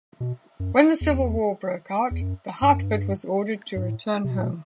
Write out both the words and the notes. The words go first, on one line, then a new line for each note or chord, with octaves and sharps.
When the Civil War broke out, the "Hartford" was ordered to return home.
B2
F#2
E2
E2
F#2
G2
F#2
G2
G2
A2
C3
B2
A2
B2